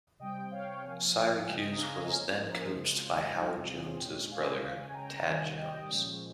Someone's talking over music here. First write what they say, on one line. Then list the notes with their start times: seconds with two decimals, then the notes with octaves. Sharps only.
Syracuse was then coached by Howard Jones's brother, Tad Jones.
0.20 C3 G3 C4 D#5 G5
0.51 C#5 F5
0.83 C3 F3 A#3 F5 G#5
1.14 F5 G#5
1.39 F5
1.46 C#3 G#3 C4 D#5 G5
1.72 A#5
1.78 F5 G#5
2.10 F3 A#3 C#4 C#5 F5
2.37 A#4
2.41 G#4 C5
2.73 C#3 G#3 C4 D#4
2.94 F4
3.16 F4
3.36 C3 G3 C4 D#4 G4
3.68 F4 G#4
3.99 A#2 G#3 C#4 D#5 G5
4.31 F5 G#5
4.63 C#3 G#3 C#4 F5 G#5
4.94 G5 A#5
5.25 C3 D#3 G3 F5 G#5
5.57 D#5 G5
5.89 A#2 F3 G#3 C#4